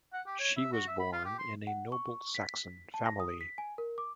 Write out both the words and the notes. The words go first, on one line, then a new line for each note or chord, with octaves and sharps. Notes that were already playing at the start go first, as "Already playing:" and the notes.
She was born in a noble Saxon family.
F#5
G4
C#5
E5
F#4
E5
B5
F4
G4
C6
F#5
C#6
B6
A5
A#6
D#6
B6
G#5
A#4
D6